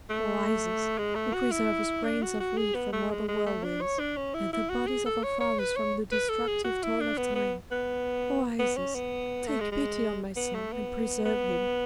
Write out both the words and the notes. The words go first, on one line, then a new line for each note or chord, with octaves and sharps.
O Isis, who preservest grains of wheat from robber whirlwinds, and the bodies of our fathers from the destructive toil of time, O Isis, take pity on my son and preserve him!
A3
G#3
A3
F#4
E4
D4
F#4
F#4
G#4
B3
A3
G#3
G#3
A3
D4
C#5
D4
C#4
E4
E4
F#4
G#4
A4
C#5
C#5
B4
C#5
B4
A4
G#4
F#4
E4
D4
B3
B3
B3
B3
C#4
B3
A3
G#3
G#3
B3
A3
B3
B3